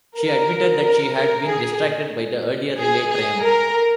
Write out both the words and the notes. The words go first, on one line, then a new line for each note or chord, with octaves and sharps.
She admitted that she had been distracted by the earlier relay triumph.
A#4
A#4
A#4
G#4
G#4
G#4
A#4